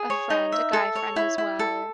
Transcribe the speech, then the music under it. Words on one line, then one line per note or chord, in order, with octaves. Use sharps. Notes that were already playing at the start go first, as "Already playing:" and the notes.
a friend a guy friend as well
Already playing: G#4
C#5
D#4
E5
A4
C#5
E4
E4
A4